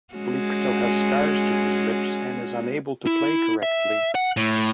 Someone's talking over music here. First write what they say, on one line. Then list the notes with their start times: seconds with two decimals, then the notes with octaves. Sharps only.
Bleek still has scars to his lips, and is unable to play correctly.
0.14 G#3 C#4 F#4
3.07 E4
3.63 E5
4.15 F#5
4.37 A2